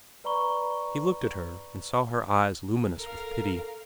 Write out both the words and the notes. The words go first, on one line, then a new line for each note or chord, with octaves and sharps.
He looked at her and saw her eyes luminous with pity.
B4 D5 A#5 B5 C#6 G7
A4 A#4 F5